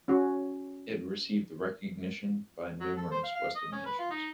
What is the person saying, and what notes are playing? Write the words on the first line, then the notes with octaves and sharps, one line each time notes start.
It received recognition by numerous western nations.
C#4 F#4
F#3
A4
C5
F5
F5
D#5
C#4
B4
F4
D#4